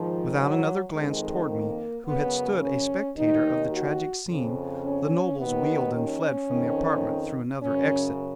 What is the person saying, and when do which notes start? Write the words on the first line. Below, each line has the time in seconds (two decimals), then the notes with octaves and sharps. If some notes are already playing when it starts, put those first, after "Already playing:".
Without another glance toward me, who had stood a spectator of the tragic scene, the nobles wheeled and fled from the apartment through another exit.
Already playing: G#2 D#3 F3
0.37 F#3
0.93 F2 D#3 G#3
1.50 A#3
2.05 F#2 C#3 B3
2.61 C#4
3.16 D#2 D#3 D#4
3.72 F#4
4.28 F2 C#3
4.84 C#4
5.39 D#2 D#3 B3
5.95 C#4
6.50 F2 D#3
7.61 F#2 C#3 C#4